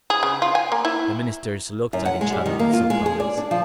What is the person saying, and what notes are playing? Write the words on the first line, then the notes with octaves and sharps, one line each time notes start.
The ministers looked at each other with surprise.
G#4
C#3
F4
G#5
A#3
E4
F#2
F#5
G#3
G3
D#3
A#3
F4
G#3
G#4
D5
D4
F3